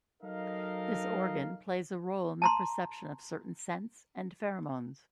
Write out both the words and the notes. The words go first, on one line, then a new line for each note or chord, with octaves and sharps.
This organ plays a role in the perception of certain scents and pheromones.
F#3 D#4 A4 A#4 D#5 F5
A5 A#5 C6